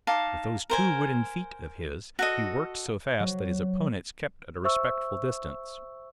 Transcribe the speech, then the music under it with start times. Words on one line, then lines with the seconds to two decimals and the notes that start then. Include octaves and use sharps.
With those two wooden feet of his, he worked so fast that his opponents kept at a respectful distance.
0.07 D#4 F5 A5 D6
0.70 A#4 C5 G#5
2.19 F#4 A4 D#5
3.20 F#3
4.64 C5 E5 C#6 E6